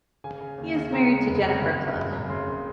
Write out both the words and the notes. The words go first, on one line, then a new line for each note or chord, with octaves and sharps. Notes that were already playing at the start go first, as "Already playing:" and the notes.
He is married to Jennifer Klug.
C#3 G#5
C#3
D#2
C#3
C#3 A#5
G#3
F1
C#3
F#1
F#2
F#1
F#2
C#3 C6
F#1